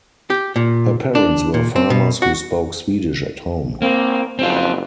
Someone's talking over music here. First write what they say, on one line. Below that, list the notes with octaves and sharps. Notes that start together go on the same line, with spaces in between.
Her parents were farmers who spoke Swedish at home.
G4
A#2
D4
A#2
C4
B2
F#4
A#3 C4
F#1 C4 F4